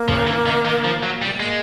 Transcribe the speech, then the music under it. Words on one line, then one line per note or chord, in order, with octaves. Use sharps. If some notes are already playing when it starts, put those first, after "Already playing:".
Bryan Cranston? Yeah,
Already playing: A#3
F3
E3
D#3
D#3
F3
F#3
G3
G#3 A#3